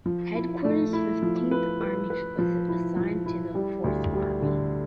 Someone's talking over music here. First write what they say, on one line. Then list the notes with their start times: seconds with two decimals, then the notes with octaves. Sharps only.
Headquarters, Fifteenth Army was then assigned to the Fourth Army.
0.06 F3
0.35 E4
0.64 A3
0.93 E4
1.23 F3
1.51 B4
1.81 B4
2.10 B4
2.39 F3
2.68 E4
2.97 F3
3.26 E4
3.55 G3
3.84 D2
4.13 G3
4.42 D3